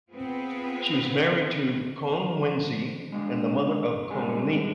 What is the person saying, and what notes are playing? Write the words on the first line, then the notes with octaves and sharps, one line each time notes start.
She was married to Kong Wenzi and the mother of Kong Li.
B3 C4 F4 G#4 B4
F2
G#3 D4
G2 G#3 C#4 G4 G#5